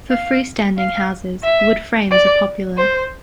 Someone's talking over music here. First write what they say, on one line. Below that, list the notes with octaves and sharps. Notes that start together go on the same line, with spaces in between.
For freestanding houses, wood frames are popular.
F5
F5
E5
D5
C5